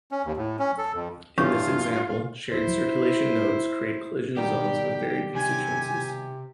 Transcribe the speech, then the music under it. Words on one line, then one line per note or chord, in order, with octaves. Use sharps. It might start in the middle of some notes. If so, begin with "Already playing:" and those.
In this example, shared circulation nodes create collision zones of varied constituencies.
C#4
D#2
A2
C#4
A4
F2
G2 E3 F4 C#5 C#6
E4 C5
B2 D#3 G3 G4 D5 G5
C3 G4 G#5